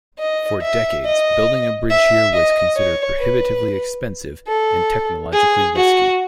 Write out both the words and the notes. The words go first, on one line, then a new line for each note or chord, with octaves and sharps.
For decades, building a bridge here was considered prohibitively expensive and technologically risky.
D#5
E5
D#5
E5
D#5
C#5
B4
A4
G#4
F#4